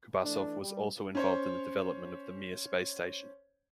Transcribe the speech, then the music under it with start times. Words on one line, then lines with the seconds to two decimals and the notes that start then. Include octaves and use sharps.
Kubasov was also involved in the development of the Mir space station.
0.23 E3 A3 D4
0.61 G3
1.15 C#4 C5 C#5